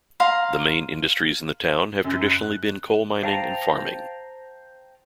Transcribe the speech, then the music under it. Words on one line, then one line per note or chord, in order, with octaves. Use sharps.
The main industries in the town have traditionally been coal mining and farming.
F5 A#5 C6
F#2
F#6
C5 F5 G5 A5 A#5